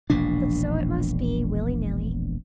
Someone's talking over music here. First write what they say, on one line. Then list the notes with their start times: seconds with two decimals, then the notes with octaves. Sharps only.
But so it must be, willy-nilly.
0.10 E1 A#1 A#2 D4